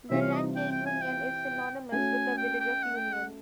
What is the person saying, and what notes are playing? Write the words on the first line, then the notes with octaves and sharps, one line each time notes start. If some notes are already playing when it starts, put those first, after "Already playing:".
Barangay Union is synonymous with the village of Union.
C3 E3 G3 C4 F4 E5
F5
D#5
G5
G5
G#5
G5
A3 C#4 F#4 G#5
G5
G5
F#5
G5
F#5